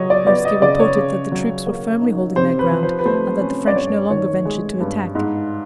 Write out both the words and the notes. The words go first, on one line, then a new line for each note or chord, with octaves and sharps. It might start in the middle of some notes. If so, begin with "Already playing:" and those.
Raevski reported that the troops were firmly holding their ground and that the French no longer ventured to attack.
Already playing: C#3 F#3 C#5 D#5
D5
B3 D5
D#5
C#3 D5
C#5
C#3
F#3
A#3
D#4
C3 C5
B4
F3
C5
B4
A3 C5
C#4
D5
G2 C#5
D#3 C#5
G#3
G2
G#2